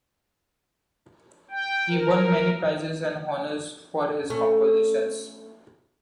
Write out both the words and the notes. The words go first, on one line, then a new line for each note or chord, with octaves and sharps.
He won many prizes and honors for his compositions.
G5
A#4
A3 C#4